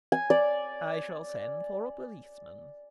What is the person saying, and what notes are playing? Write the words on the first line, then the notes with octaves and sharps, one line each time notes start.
"I shall send for a policeman."
G#5
D5